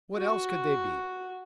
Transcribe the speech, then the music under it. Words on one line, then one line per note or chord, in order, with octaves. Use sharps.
What else could they be?
F#4